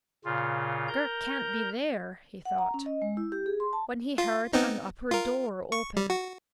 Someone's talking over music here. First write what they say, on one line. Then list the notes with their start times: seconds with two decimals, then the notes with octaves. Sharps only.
"Girk can't be there," he thought, when he heard an upper door open.
0.25 A#2 C#3 F4
0.88 A#4 A#5 G6
2.45 F#5
2.58 A#5
2.74 C#4
2.86 D#5
3.02 G#3
3.17 E4
3.32 G4
3.46 G#4
3.60 C6
3.73 A5
4.18 F4
4.53 B3 C4 D#4
5.11 F4 A#4
5.72 C#6
5.97 G3
6.10 F#4